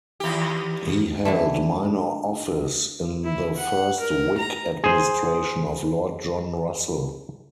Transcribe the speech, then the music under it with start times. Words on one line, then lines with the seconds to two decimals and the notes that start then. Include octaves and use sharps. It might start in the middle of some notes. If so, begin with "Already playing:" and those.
He held minor office in the first Whig administration of Lord John Russell.
0.20 D#2 G4
1.25 D3 E3 A3
3.24 E4
3.57 F#5
4.00 A#4
4.38 A#5
4.84 G#4 C5